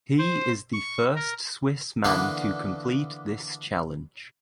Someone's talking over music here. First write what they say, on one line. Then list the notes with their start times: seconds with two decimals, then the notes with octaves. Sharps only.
He is the first swiss man to complete this challenge.
0.19 C5
0.73 C#6
1.15 A#4
2.04 D3 E3 A#3 B3 D4